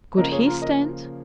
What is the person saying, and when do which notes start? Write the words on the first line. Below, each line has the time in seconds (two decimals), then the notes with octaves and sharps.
Could he stand?
0.17 C#3 F3 A#3 A#4 D#5
0.32 G#4 C#5
0.46 F4 A#4
0.62 A#4 D#5